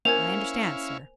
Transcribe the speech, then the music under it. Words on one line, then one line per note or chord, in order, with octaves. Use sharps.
"I understand, sir."
A#3 C#4 E4 C5 F5 G#5 G#6 F7